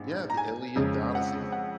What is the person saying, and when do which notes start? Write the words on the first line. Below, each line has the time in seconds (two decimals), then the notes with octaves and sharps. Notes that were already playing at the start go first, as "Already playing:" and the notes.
Yeah, the Iliad, the Odyssey.
Already playing: A#1 G#2
0.30 A#5
0.37 G#5
0.76 F2 C#3 G#3
1.15 F#5
1.52 F#5